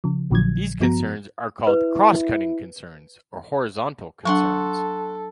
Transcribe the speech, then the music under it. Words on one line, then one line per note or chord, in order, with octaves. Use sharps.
These concerns are called "cross-cutting concerns" or horizontal concerns.
C#3 F3
A#1 A#2 D3 F3 F#3 G#6
G2 F3 B3 F#4 A#5
E4 B4
F#3 D4 A4 F#5 C6 C#6